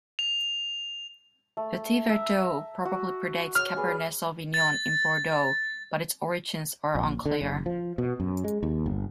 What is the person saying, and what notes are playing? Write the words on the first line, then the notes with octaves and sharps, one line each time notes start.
Petit Verdot probably predates Cabernet Sauvignon in Bordeaux, but its origins are unclear.
F7
A3
E5 A#5
F#4
C#5 F6
G#4 B4 D5
A6
A#1
D3
F#1
F3
B2
F#2
G#3
D#2
G1